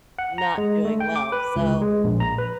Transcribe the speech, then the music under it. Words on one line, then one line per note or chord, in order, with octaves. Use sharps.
not doing well, so
F#5
A#5
G#3
A3
G5
D6
B4
C#2
G#3
A#1
A#5
B4